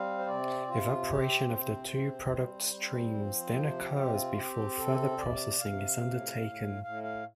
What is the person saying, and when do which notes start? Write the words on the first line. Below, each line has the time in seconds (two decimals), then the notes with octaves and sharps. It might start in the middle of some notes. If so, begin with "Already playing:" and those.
Evaporation of the two product streams then occurs before further processing is undertaken.
Already playing: G3 C4 F5
0.18 C5
0.26 C3 D5
0.67 C3 F4
1.08 C4 G4
1.50 C3 C5
1.91 C4
2.31 G3
2.73 C4
3.14 F3
3.54 C3 C5
3.82 G4
3.96 C4
4.10 F4
4.36 C4 G4
4.78 C3 A4
5.18 C3 D5
5.60 C3 F5
6.01 A2
6.41 A2
6.83 A2 F5
7.03 F5